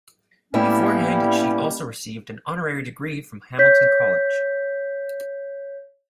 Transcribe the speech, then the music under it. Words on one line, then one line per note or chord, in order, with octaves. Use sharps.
Beforehand, she also received an honorary degree from Hamilton College.
A2 G3 A#3 B3 C#4 E4
C#5 G6 B6